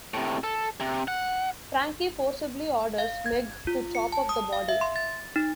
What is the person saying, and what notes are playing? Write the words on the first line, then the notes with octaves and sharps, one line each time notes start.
Frankie forcibly orders Meg to chop up the body.
A2 C3
A4
C3
F#5
F5
G#6
F4
C#7
A5
D#6
F5
E5
C6
A6
D#4